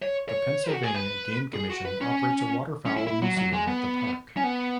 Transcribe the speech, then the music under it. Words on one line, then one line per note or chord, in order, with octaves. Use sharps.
The Pennsylvania Game Commission operates a waterfowl museum at the park.
C#5
C#5
F#4
G#4
B4
G#4
F#4
B4
C#4
C#4
E4
E4
F#3
F#3
G#3
B3
C#4
B3